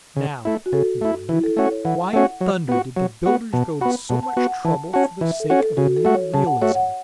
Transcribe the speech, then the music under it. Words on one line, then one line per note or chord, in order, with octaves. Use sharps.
"Now," he wondered, "why in thunder did the builders go to so much trouble for the sake of mere realism?"
C#3
A3 E4
F#4
C#3 A4
A3 E4
E3 E4
A4
A3 C#4 F#4 A4
C#5
E3 F#5
A3 C#4 F#4 F#5
F#3
B3 F#4
F#3
B3 F#4
B2 A5
B3 F#4 B5
B2 A5
A5
F#5
B3 F#4
F#5
E3 A5
C#4 F#4 A5
E3 E5
A4
C#4 F#4
A4
C#3 F#4
A4
A3 F#4
C#5
C#3 A5
F#5
A3 F#4 C#5
F#5